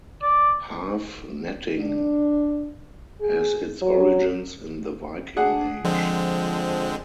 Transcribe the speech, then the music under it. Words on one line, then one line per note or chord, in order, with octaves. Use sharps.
Haaf netting has its origins in the Viking Age.
D5
D4
G#4
F#3
D4 G#4 F#5
D3 F3 G#3 C4